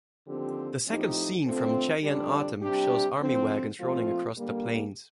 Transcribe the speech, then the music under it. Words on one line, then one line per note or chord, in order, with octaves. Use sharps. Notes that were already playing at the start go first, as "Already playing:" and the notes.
The second scene from "Cheyenne Autumn" shows army wagons rolling across the plains.
D#2 D3 F3 C4 G4
A2 F3 C4 D#4 G4
D3 A3 C4 F4
F2 D3 G3 D4 G4
C3 G3 D4 G4
D3 F3 C4
A#2 F3 A3 C4 F4
D3 G3 A#3